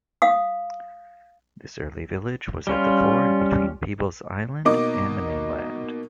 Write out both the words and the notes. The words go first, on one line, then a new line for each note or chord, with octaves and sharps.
This early village was at the ford between Peebles Island and the mainland.
F5 D#6
G3 C#4 F4
B2 A#3 D#4 D#5 D6